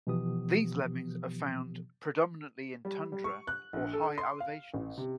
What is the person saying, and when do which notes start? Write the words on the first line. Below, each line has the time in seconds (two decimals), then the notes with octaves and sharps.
These lemmings are found predominantly in tundra or high elevations.
0.07 B2 E3 F3 B3 G4 D#6
2.85 G3
3.12 G3
3.24 C#6
3.47 F#6
3.73 A#1
3.93 A4
4.18 C6
4.40 F5
4.74 A1
4.98 C3